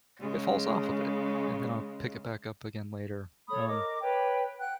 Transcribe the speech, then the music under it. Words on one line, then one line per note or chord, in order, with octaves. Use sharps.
it falls off a bit, and then I'll pick it back up again later. Um,
C#3 G#3
A4 C#5 B5 D#6
A#4 D#5 D6
B4 C#5 G5
F#5 G5 F#6